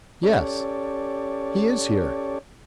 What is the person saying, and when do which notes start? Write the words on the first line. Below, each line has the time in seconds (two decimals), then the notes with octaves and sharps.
Yes; he is here....
0.23 C#4 G4 A4 C#5 D5